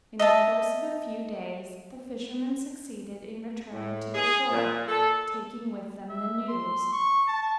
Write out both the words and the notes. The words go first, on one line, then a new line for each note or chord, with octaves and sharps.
In the course of a few days the fishermen succeeded in returning to the shore, taking with them the news.
D#5 E5 A5
A2
G#4
A#2
A4
E5
C6
C#6
A5